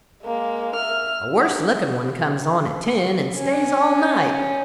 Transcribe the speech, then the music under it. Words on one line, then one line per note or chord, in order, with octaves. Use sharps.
"A worse-looking one comes on at ten and stays all night."
G#3 A#3
E5 F6
D4 F#5
C#4